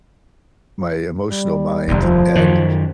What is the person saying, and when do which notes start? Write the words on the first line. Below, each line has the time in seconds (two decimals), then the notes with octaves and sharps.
my emotional mind, and
1.26 G3
1.88 F1 D#2 G3
2.00 F3
2.35 F#2 D#3